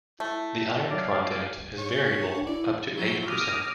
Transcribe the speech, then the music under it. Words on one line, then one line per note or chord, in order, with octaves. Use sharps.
The iron content is variable up to eight percent.
A3 E4
F#3 D5 F5 D6
C#5
D4
E4 D5
F3 F#3 E4 G6
D6 D#6 F6 A#6